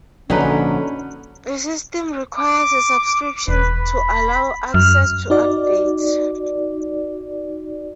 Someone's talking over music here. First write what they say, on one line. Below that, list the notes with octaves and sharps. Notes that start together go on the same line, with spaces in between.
The system requires a subscription to allow access to updates.
A#1 G#2 D3 F#3 C#4 D#4 B4
D6
E1 B4
B5
F#2 F6
D#4 F#4 D5